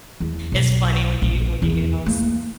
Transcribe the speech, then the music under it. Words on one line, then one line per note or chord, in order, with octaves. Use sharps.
It's funny when you when you hear those
E2
B1
A#1
E2
A#3